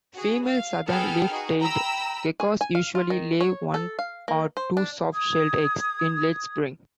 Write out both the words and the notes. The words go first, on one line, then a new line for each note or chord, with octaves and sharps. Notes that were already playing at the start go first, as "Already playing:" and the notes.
Female southern leaf-tailed geckos usually lay one or two soft-shelled eggs in late spring.
F#4 G#4
F5
B3 G#4 A4 B4 G5 F6
D#4 F#4 G#4
G5 A#5 B5 E6
G#4
G#5
F5
F4
D#3
C#5
A4
F5
A#3
C5
D4
D#6 G#6